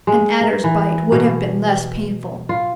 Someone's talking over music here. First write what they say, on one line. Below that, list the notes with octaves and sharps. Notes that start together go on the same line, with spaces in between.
An adder's bite would have been less painful.
G#3
A#4
E3
B2
F4